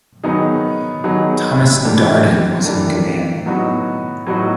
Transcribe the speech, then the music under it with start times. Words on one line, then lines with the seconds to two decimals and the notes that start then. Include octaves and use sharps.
Thomas Darden was in command.
0.23 D#3 F#3 B3 D#4 G#4
1.04 D#3 F#3 B3 D#4 G#4
1.85 E3 A3 D4 G4 A#4
2.65 E3 A3 D4 G4 A#4
3.46 A2 F#3 B3 D#4 F#4
4.26 A2 F#3 B3 D#4 F#4